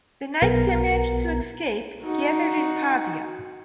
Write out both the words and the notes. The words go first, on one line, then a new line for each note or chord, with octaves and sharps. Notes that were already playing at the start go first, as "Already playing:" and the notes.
The knights that managed to escape gathered in Pavia.
B1 B3 A#4 A#5
D#4 F#4